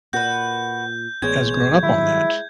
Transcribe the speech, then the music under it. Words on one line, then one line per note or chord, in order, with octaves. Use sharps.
has grown up on that,
A#2 F#4 B4 G6
A1 G#3 B3 C#5 G#6
D#3 F#3 G3 E4